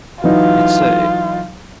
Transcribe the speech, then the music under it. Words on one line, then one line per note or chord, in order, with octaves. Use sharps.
it's a
E3 F#3 D#4 F4